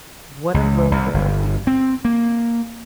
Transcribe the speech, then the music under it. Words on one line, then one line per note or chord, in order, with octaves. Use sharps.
What a row there'll be!
C#2
C2
G1
C4
A#3